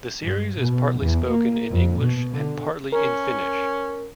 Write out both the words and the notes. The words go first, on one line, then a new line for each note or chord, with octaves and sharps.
The series is partly spoken in English and partly in Finnish.
G2
B2
E2
A#3
F2
B2
D3
C#4 A#4